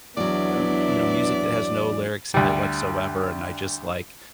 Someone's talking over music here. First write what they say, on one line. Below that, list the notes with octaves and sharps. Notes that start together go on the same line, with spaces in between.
um, you know, music that has no lyrics in it whatsoever, and I just, like,
E2 F#3 B3 D4 E4 D5
D2 G3